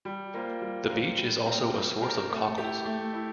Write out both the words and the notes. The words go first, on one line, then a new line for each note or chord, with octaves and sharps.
The beach is also a source of cockles.
G3
A#3 F4 C5
G3
A#3 F4 C5
G3
C4 G4 A#4
G3
C4 G4 A#4
A3
E4 G4
A3
E4